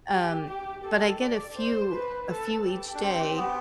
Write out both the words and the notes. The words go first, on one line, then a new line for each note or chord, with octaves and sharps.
Um, but I get a few a few each day
G4
G4
A4
D5
C5
B4
A4
G4
D4
C4
B3